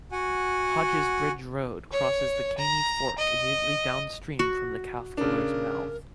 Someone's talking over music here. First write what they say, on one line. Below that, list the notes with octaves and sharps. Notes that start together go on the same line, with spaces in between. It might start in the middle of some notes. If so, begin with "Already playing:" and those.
Hodges Bridge Road crosses the Caney Fork immediately downstream from the Calfkiller's mouth.
F#4 F#5 G#5
C#5
A#5
D#5
F#4
C#3 D4 A#4